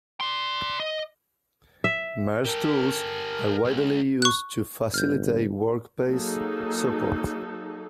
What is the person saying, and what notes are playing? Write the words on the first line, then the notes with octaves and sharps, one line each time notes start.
Merge tools are widely used to facilitate workspace support.
D5 C6
D#5
E5
G4 A4 A#4
C#2
C#6 F#6
G1 F6 G6
F#3 A#3 D#4 G#4 A4